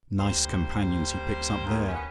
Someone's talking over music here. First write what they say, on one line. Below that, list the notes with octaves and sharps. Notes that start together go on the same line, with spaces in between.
Nice companions he picks up there!
D2 G3 A#3 C5
D#2
B3 C#4